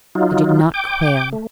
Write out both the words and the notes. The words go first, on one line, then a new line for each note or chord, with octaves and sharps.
I did not quail.
F#3 D#4 F4
G5 D6
A3